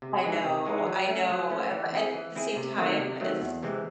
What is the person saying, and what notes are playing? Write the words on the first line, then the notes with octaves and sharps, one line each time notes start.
I know, I know, uh, but at the same time, it's
C3
E3 G#3 D#4 G#4
C3
E3 G#3 D#4 G#4
F#3
A3 C#4
F#3
A3 C#4
E3
C4 E4 G#4
E3
C4 E4 G#4
C3
D#3 F#3 A3 C4
C3
D#3 F#3 A3 C4
E2
C3 E3 G#3 C4